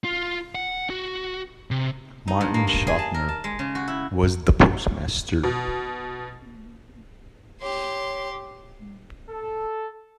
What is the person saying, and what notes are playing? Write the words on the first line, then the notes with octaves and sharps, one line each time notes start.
Martin Shofner was the postmaster.
F4
F#5
F#4
C3
D#4
G2
A#3
A#3
G#4
A5
A#4
A5
G#3
C#3
F#4
E4
B2
G4 C#5 C6
A4